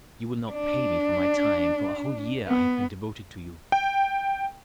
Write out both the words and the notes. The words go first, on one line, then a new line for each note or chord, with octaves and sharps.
You will not pay me for my time--for a whole year I have been devoted to you!
D4
B3
G5